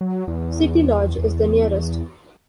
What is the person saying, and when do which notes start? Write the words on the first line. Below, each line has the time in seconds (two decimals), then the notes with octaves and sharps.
Citylodge is the nearest.
0.01 F#3
0.28 E2
1.18 E2